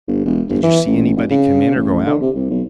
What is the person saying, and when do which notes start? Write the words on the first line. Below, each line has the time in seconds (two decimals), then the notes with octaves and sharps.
"Did you see anybody come in or go out?"
0.08 G1
0.25 E1
0.49 G1
0.63 E3
0.87 A1
1.16 F1
1.30 C#3
1.75 A1
2.07 D3
2.21 C3
2.35 C2
2.50 B1